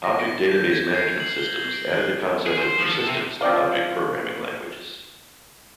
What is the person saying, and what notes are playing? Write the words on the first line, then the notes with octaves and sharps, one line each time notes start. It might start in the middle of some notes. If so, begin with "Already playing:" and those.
Object database management systems added the concept of persistence to object programming languages.
A#6
A#6
G6
G#6
C7
F#7
G7
D7
F#6
G#4
C5
F3
A4
C3
F3 C4 D5 F5